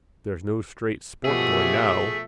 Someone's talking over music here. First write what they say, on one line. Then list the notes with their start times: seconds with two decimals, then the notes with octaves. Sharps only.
There's no straight sport going now.
1.25 B2 F3 A3 G4 G#4 E5